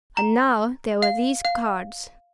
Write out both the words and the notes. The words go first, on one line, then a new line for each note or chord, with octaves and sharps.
And now there were these cards.
A#5
F5
F5